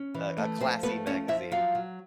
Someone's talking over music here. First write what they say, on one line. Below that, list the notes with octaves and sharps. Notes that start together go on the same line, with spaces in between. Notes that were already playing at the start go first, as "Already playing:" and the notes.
a a classy magazine.
Already playing: C#4
E3
A3
F3 C4 C5
A3 B3 B4
F3 C#4 C#5
F3 E4 E5
F#3 F4 F5
F#3